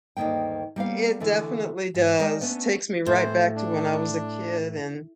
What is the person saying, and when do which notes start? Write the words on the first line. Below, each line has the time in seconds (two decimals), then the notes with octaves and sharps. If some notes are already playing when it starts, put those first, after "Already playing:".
It definitely does, takes me right back to when I was a kid, and
0.17 D2 G2 D#3 A#3 G5
0.76 G3 A#3 B3 F5
1.20 D3 E3 A3 D4
1.94 G#2
2.19 G#3 G4 A#4 D5
2.41 A3 B3 C#4 D4
3.06 A2 E3 C5
3.55 D4